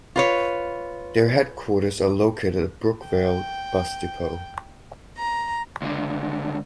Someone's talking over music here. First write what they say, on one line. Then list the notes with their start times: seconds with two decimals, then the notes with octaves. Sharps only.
Their headquarters are located at Brookvale bus depot.
0.16 F4 B4 C#5
3.06 G5
5.17 A#5
5.82 C#2 D3